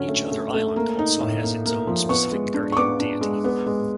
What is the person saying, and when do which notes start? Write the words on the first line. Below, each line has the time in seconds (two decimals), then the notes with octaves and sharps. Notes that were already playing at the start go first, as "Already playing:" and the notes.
Each other island also has its own specific guardian deity.
Already playing: D3 F#3 C#4
0.08 A3
0.31 A3
0.53 A3
0.76 A#3
0.99 D#4
1.21 A2
1.43 A#3
1.65 A#3
1.87 F3
2.09 B3 C#6
2.32 G#3
2.54 D4
2.72 C#6
2.77 B3 D6
2.99 D4
3.21 G#3
3.44 B3
3.66 G#3